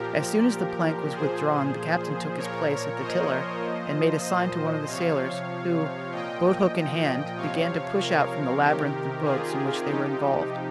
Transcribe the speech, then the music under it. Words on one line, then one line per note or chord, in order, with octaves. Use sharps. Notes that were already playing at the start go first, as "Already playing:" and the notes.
As soon as the plank was withdrawn the captain took his place at the tiller and made a sign to one of the sailors, who, boat-hook in hand, began to push out from the labyrinth of boats in which they were involved.
Already playing: A#2 F3 G4 A#4
A#2 F3 G#4 C5
A#2 F3 A#4 C#5
C5 D#5
A#2 F3
C5 D#5
C3 F3 C#5 F5
A#2 F3 D#5 G5
C3 F3 C#5 F5
A#4 C#5
C3 D#3 G4 A#4
F4 G#4
C3 F3 D#4 G4